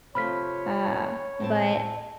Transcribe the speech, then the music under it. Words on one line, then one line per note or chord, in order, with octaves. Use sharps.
uh, but
C3 F3 A3 C#5 B5 F6 B6
A2 C4 A5